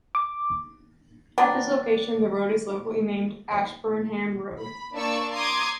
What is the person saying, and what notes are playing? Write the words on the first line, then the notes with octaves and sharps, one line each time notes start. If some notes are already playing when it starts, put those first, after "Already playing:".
At this location, the road is locally named Ashburnham Road.
D6
F#3 B3 C4 D4
B5
A#3 D4 D5 C#6 E6
A#5 C6 D6 D#6 G#6